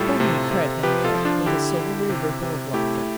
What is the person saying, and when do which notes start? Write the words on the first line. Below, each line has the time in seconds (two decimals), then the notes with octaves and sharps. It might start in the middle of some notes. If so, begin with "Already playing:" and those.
"Bunny!" cried Henriette, with a silvery ripple of laughter.
Already playing: A2 G3 F4 A4
0.20 C3
0.51 C3
0.83 F3 G4 B4
1.04 F4 A4
1.14 F3
1.25 D4 F4
1.46 D3 E4 G4
1.79 D3
2.10 C3
2.42 C3
2.73 A3 E4 G4